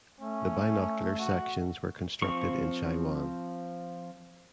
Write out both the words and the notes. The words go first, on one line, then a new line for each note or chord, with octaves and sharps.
The binocular sections were constructed in Chai Wan.
A3 C#4
F#4
F3 C4 C#6